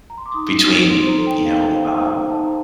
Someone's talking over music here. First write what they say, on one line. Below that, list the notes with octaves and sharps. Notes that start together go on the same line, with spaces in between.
between, you know, um,
A#5
C6
D6
D#4 D#6
D#4
D#4
D#4
D#4 C6
C5
A#5
A4
G5
D#4
D#4 F5
D#4
C5
D#4
C5
C5 A#5
D#4 A5
C5 A#5